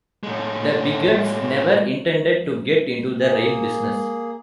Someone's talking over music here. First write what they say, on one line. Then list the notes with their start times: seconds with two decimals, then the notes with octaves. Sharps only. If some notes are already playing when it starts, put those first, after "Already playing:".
The Biegerts never intended to get into the rail business.
0.23 A2 G#3
3.18 A#3 G#4